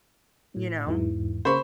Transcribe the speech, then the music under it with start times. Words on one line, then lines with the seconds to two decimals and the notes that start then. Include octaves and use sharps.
You know?
0.57 A2
0.87 E2 G#2 E3
1.45 C#3 A#3 C5 B5 C#6